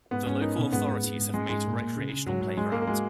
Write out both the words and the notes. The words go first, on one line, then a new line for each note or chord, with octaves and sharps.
The local authorities have made a recreational playground.
G#2 B3
G#2 C#4
D#4 A#4
B2 C#4
G#2 B3
G#2 B3
G#2
G#2
G#3 C#4
G#2 G#3
A#2
A#2
C#3
C#3
G#2 F#3
G#2 F#3
G#2 G#3
G#2 A#3
A#3
G#3 F#4